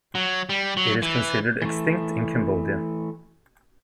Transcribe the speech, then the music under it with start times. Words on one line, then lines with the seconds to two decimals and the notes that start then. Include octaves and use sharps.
It is considered extinct in Cambodia.
0.15 F#3
0.49 G3
0.77 F#3
1.02 E3
1.62 E3 A3